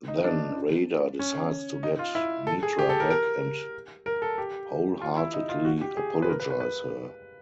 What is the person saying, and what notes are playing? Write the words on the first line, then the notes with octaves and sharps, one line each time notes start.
Then Radha decides to get Mitra back and wholeheartedly apologize her.
D#4
D4
C#4
D#4
F4
E4
A4
G#4
G4
A4
A#4
A#4
A#4
A4
G4
F4
E4
D#4
F4
F#4
G4
G#4
B4
A#4
B4
B4
B4